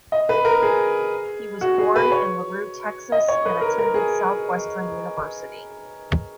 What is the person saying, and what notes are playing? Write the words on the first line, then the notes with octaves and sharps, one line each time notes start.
He was born in LaRue, Texas and attended Southwestern University.
D#5
B4
A#4
G#4
F#4
G#4
B4
C#5
D#5
C#5
B4
A#4
A#4
G#4